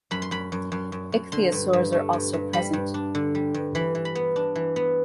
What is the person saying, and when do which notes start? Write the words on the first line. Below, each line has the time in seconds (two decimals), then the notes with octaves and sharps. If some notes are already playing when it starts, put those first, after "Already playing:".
Ichthyosaurs are also present.
0.11 F#2 B5
0.22 C6
0.31 F#2 B5
0.52 F#2
0.72 F#2
0.92 F#2
1.12 F#2
1.32 D3 C6
1.52 G2
1.73 G2
1.92 A3
2.13 G2
2.33 G2
2.53 G3 B5
2.73 G2
2.94 D4
3.15 D3
3.35 G3
3.54 G2
3.75 E3 B5
3.95 E3
4.05 B5
4.15 B3
4.36 D4
4.55 E3
4.76 B3